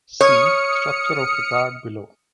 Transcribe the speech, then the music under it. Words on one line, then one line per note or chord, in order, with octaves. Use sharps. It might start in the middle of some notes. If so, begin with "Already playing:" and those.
See "structure of a card" below.
C#5 D#6 F6 C#7